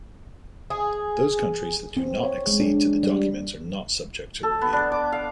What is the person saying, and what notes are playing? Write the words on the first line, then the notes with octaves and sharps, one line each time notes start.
Those countries that do not accede to the document are not subject to review.
G#4
C4
C#5
G#3
D4
G3
A4
B3
D4
D6
F5